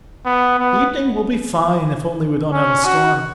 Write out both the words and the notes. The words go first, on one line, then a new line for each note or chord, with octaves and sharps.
The evening will be fine, if only we don't have a storm.
B3
B3
C#4
F#4